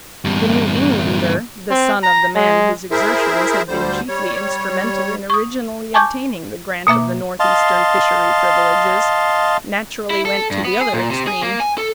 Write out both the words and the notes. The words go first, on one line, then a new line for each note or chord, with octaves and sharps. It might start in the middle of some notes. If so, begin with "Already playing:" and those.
The New Englander--the son of the man whose exertions had been chiefly instrumental in originally obtaining the grant of the Northeastern fishery privileges--naturally went to the other extreme.
E2 G2
C4
A#5
G#3
E4 G#4 A#4 C5 E5
D2 D3 G3 C5
G3 C#5
C#6 D#6
G#5 A5 C#6 D6 G6 G#6
B2 A#3 E5 D6
D#5 F5 A5 C6
E4
A4
G2
B3
G#4
A#2
C3
G#4
A#3
G#5
A4